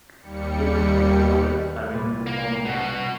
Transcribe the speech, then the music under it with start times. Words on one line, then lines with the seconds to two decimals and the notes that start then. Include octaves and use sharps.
Its headquarters are in Pyongyang.
0.19 D#2 G3 C#7
1.94 C2 A#2 B4
2.27 A#3
2.65 B2 F#4